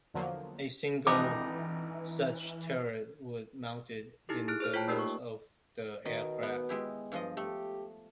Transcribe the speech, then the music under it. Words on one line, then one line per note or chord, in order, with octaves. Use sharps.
A single such turret would mounted in the nose of the aircraft.
E2 D3 F3 F#3 A#3
G#1 F2 E3 B3 D4 D#4 D6
D#4 E4 G4 A4
E4 G#4 F6 F#6 D7
G#4 C5 F6
F4 C#5 G5 A5
A3 A#3 D#4 G4 A#4
C#6
B2 D#3 D#5
B3
G#3 E4 G4
G2 F3 D#5
A3 G4